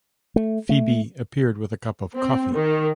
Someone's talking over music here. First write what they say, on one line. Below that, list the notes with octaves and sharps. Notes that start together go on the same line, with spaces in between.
Phebe appeared with a cup of coffee.
A3
A3
C4
D#3